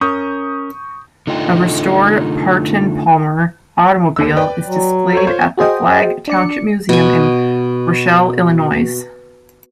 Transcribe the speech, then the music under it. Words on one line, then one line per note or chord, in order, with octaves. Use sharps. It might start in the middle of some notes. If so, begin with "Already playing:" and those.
A restored Partin-Palmer automobile is displayed at the Flagg Township Museum in Rochelle, Illinois.
C#4 A#4 C#6 D#6 G6
D3 A3 D#4 F4 G5
D#2 D3 E6
B4 D5 G5
F#3
A4 C5 C#5
F4 C5 C#5
F#4 G#4 C5 D#5 G5
D4 D5 C#7
B2 G#5